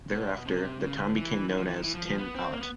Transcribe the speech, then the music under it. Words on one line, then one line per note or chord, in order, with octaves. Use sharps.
Thereafter, the town became known as "Tin 'At".
B2
C3
C#3
D3
E3
D#3
F3
E3
D#3
E3
F3
F3
B3
C4
A#3
B3